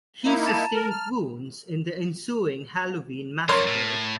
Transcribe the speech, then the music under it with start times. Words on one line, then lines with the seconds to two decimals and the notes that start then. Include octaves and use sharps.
He sustained wounds in the ensuing Halloween Massacre.
0.25 A#3 D#4 E4
0.46 A5 A#5 A6
0.74 A#4
0.91 F6
3.49 F#2 F3 A#4 C#5 C6
3.67 A2